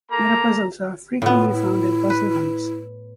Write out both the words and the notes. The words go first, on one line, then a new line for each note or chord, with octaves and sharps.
Metapuzzles are frequently found in puzzlehunts.
A#3 A4 A#5
A2 B3 F4
E4
B4